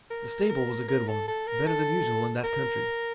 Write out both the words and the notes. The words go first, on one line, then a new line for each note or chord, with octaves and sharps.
The stable was a good one, better than usual in that country.
A#4
A#4
A#4
A4
A4
A#4
A4
A#4